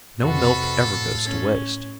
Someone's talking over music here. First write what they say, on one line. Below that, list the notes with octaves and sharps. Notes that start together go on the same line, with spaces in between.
No milk ever goes to waste.
F2 C3 F4 F#4 A4 B4
A2
C#4